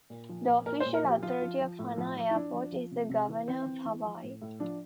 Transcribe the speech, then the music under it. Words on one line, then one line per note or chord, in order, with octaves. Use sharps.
The official authority of Hana Airport is the Governor of Hawaii.
A#2
F3
A#2
A#2 A#4
C5
A#2
A#4
F3 G4
F3 F4
F3
F3
A2
F3
F3
E4
F3 D4
F3
F3
C3
C3
E3
E3 C4
E3
E3
F3
A2
A2
F3 D4